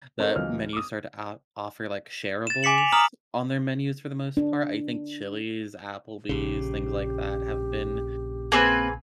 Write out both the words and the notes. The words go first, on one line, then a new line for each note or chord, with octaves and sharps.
that menu started, uh, offer, like, shareables on their menus for the most part. I think Chili's, Applebee's, things like that have been
C4 D#4 A4 A#4 C5 C#5
C#2 E3 F#3 D#5 F6
D6 D#6
A6 E7
G#5 D6 B6 C#7 F#7
F7
A#5 D#6 F6 F#7
D4
A#1 C#3 G4
A#3 C4 G#4 B4 G#5